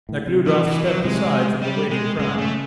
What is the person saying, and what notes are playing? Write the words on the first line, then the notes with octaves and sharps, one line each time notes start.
Nekhludoff stepped aside from the waiting crowd.
A2
C3
E3
E3
F#3
C3 G#3
G3
G#3
C#3 G#3
A3